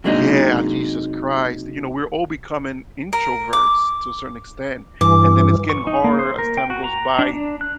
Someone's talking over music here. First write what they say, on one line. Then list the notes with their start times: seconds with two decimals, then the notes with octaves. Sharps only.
Yeah, Jesus Christ, you know, we're all becoming introverts to a certain extent, and then it's getting harder as time goes by
0.04 C3 F#3 G#3 A#3 D4 D#4
3.13 A#4
3.53 D6
5.01 G2 E3 D6
5.70 C#6
5.87 D#4
6.04 A#3
6.19 C5
6.38 A#4
6.57 G5
6.70 F#4
6.84 A#5
7.19 D4
7.33 D4
7.61 F#6